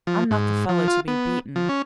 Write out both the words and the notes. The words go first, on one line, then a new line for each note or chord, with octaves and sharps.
I'm not the fellow to be beaten.
F3
G#2
F3
F4
B3
F3
C#4